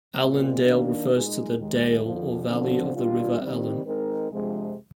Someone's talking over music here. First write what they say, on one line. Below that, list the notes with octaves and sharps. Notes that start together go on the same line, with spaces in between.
Allendale refers to the "dale" or valley of the River Allen.
A#2 G#3 C4
D#3 A#3 D4
A#2 G#3 D#4 G#4
D#2 D#3 G#3
F2 D3 F3
D3 F3 C4
D#3 G3 D4 F4
D#3 G3 C4
D#3 G#3 C4 D#4 A#4
F2 C3 F3 G#3 D4